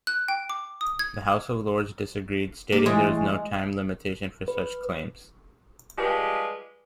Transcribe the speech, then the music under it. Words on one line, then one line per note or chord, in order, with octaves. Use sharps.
The House of Lords disagreed, stating there was no time limitation for such claims.
F#6
G5
D6
D#6
G#6
A#3 G4 D5
A2 E3 G#3
B4
F3 G3 G#3 G4 B4